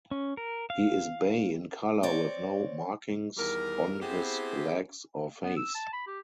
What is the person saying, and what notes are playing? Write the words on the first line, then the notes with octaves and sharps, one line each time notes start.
He is bay in color with no markings on his legs or face.
C#4
A#4
F5
C4 C#5 D5
E2 D#3 G3 A#4
B3 C4 E4 G4 G#4 C5
B3
E6
A5
B5
G4